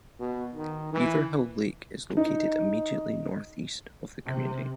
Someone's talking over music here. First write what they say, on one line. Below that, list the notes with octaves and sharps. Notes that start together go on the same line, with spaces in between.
Beaverhill Lake is located immediately northeast of the community.
B2
D#3
E3
D#4
C3